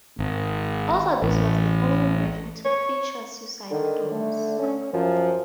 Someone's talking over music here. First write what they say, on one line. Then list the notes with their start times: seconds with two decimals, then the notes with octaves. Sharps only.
Also this was the only version to feature suicide doors.
0.19 G#1
1.22 A1
2.65 C#5
3.71 D3 D#3
4.11 A3
4.59 C#4
4.93 F#2 F3